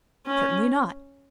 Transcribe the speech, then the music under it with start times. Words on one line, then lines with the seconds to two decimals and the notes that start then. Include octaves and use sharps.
"Certainly not."
0.27 C#4